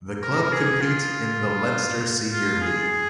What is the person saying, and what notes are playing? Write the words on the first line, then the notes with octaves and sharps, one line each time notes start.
The club compete in the Leinster Senior League.
A#4
A#4
G#4
F4
F4
G#4